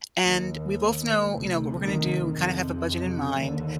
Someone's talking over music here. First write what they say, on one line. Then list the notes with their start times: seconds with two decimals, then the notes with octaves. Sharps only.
and we both know, you know, what we're gonna do, we kinda have a budget in mind,
0.24 D#2
1.28 D2 C3
1.80 D#3
2.33 F2 C3
3.37 D#2 D3